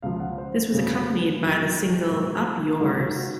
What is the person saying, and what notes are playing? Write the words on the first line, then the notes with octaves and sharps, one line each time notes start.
This was accompanied by the single Up Yours!
C#2 C#3 F3 F5
F#5
C5
C5
F2 C#3 F#3
F#2 D#3 F#3
G#2 F#3 A#4
G#2 D#3 F#3 F#4
F4
F#4